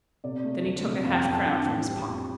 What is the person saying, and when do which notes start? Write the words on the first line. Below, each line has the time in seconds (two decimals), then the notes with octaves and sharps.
Then he took a half-crown from his pocket.
0.24 C3 D5
0.44 A3
0.64 D2
0.84 C3
1.04 F2 F5
1.14 G5
1.25 F2 G5
1.35 A5
1.45 D4 A5
1.65 A2 G5
1.86 G3
2.06 F2